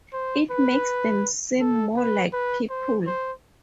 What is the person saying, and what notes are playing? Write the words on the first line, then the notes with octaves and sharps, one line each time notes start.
It makes them seem more like people.
C5
B4
A4
B4
B4
C5
C5